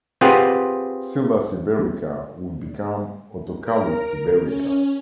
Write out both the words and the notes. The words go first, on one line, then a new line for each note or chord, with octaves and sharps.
"Scilla siberica" would become "Othocallis siberica".
C4 F4 G4 G#4 B4 F#5
A#4
C#4